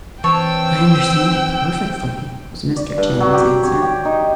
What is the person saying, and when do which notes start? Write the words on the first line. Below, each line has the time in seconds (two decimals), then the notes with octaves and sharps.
"I understand it perfectly," was Mr. Channing's answer.
0.24 E3 C4 C#5 G5 A5 E6
2.76 D5
2.98 G2
3.20 F#3
3.33 G4
3.63 C#5
3.82 G4
4.05 D#4